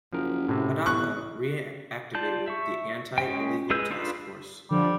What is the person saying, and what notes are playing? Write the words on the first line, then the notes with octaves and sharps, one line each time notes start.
Padaca reactivated the anti-illegal task force.
F#1 F3 A#4
A2 C3
E2 C#6 F#6
F4 D5 A5 G6
E5 C#6
G#3 C#4 G5
G#3 G#4 B4 E6 G6
D4 F4 G#4 A4 B4
D3 F3 G3